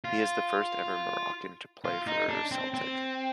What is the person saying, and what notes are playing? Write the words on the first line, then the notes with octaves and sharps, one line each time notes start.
He is the first ever Moroccan to play for Celtic.
F4
F4
D#4
D4
C4
C4